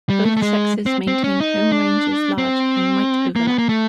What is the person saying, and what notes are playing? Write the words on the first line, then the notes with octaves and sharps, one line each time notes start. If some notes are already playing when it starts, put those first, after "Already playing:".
Both sexes maintain home ranges large, and might overlap.
G3
A3
A3
G#3
C4
C4
C#4
D#4
D4
C4
A#3
B3
A#3
A3